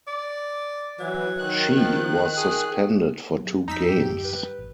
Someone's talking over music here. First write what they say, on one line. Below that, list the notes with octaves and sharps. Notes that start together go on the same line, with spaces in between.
She was suspended for two games.
D5
E3 F#3
D#3 F#6
F3
G#4
F#3 B3
F2 F3 D#4 E6 B6
G#2 G4
F#2 D3 F#3
G2 B4
A1